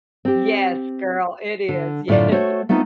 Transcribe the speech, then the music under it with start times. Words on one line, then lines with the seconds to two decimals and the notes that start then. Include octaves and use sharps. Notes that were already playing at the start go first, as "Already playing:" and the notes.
Yes, girl, it is, yes.
0.25 C4 G4
1.69 D3
2.08 F#2 A2 D3 F4 D5
2.31 A3 F#4 C5 C#5
2.69 A3 B3 C4 D#4 F4